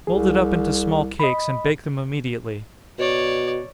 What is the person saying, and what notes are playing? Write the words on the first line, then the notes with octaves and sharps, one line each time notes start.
Mould it up into small cakes, and bake them immediately.
C2 G#4
D#5 B5
B2 C#5 D5